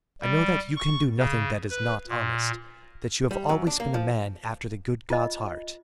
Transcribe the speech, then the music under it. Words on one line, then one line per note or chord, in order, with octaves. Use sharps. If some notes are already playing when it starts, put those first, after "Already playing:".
I know that you can do nothing that is not honest, that you have always been a man after the good God's heart.
G3
C#6
C#3
B4
A#2
G3
F#2
D4
A#3
F3
F4 D#5